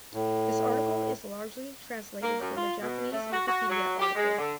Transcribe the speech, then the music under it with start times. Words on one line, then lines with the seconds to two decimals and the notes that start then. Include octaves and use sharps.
This article is largely translated from the Japanese Wikipedia article.
0.13 A2
2.21 A#3
2.40 F#2
2.56 F4
2.80 B2
3.11 A3
3.32 F#4
3.47 F#4
3.69 F#3
3.99 G4
4.15 G#3
4.38 D3